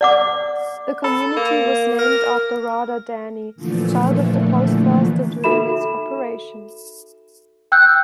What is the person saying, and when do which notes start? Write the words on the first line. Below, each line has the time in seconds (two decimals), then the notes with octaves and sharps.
The community was named after Rada Dany, child of the postmaster during its operation.
0.01 D5 F#5 D6
1.04 A4 B5
1.37 A#3
1.99 A#4
3.55 A#2 D3 E3 F3 A3
5.44 D#4 F#4 A4 E5 B5 E7
7.72 G5 E6 F#6 G6